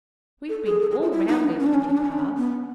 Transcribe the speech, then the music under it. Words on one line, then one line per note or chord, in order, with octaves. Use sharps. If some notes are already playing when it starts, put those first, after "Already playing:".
We have been all round these pretty paths.
A4
G#4
A4
G#4
F4
E4
D#4
D4
C#4
D4
C#4
D4
C#4
D4
C#4
D4
C#4
B3